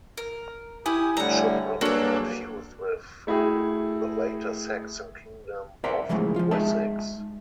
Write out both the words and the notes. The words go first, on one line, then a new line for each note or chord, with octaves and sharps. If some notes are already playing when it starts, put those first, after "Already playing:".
It should not be confused with the later Saxon kingdom of Wessex.
A#4
E4 G4 G#5 D#6
A2 D3 G3 F#5 A#5
G2 F#3 A#3 D4 F#4 G#4 A4
A3 E4 F#4 G#4 G5
A#4 C5 D5 E5 F#5 A#5
C#3 E3 F3 G#3 A3
F3 F4
G#3 D#4 G#4 E5 A5